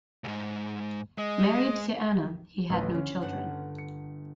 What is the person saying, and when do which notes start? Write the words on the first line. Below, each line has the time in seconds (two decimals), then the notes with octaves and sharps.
Married to Anna, he had no children.
0.24 C#2 G#2
1.18 G#3 D#5
2.70 A1 D2 B4
2.95 D3 C#4
3.22 G1 A3 F#5
3.78 C#7